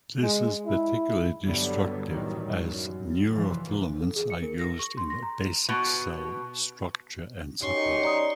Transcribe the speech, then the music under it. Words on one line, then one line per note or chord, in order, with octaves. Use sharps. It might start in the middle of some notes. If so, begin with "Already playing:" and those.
This is particularly destructive as neurofilaments are used in basic cell structure and support.
G#3
E4
G2 D3 F#3 G3 B3
F#2 A2 D#3 E3 F#3 G3
F#2
F1 E3 F3
A4
G#4
C#7
A#4
A#6
C#6
C6
A#6
A#5
B2
F#2 C#4 D#4 G4 C6 C#6
D5 A#5 D#6